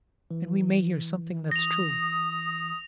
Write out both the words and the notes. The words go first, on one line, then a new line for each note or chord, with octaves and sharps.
And we may hear something that's true.
E3
D#6 A#6 F7